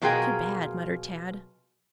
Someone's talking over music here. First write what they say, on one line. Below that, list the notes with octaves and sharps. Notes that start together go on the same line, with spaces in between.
"Too bad," muttered Tad.
B2 F#3 F4 G#4 A#4 G5